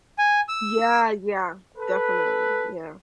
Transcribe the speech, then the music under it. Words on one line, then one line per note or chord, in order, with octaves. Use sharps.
Yeah, yeah. Definitely, yeah.
G#5
E6
A4 B4